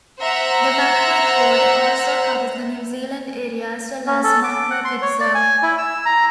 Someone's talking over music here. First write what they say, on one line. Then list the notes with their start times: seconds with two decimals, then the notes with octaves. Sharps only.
The Mackworth ward also covers the New Zealand area as well as Mackworth itself.
0.21 C5 E5 F#5 A#5
4.07 C#4
4.24 A4
4.44 D6
4.71 F#5
4.85 C6
5.02 C#5
5.20 D5
5.35 G#5
5.63 E4
5.78 E6
6.05 A#5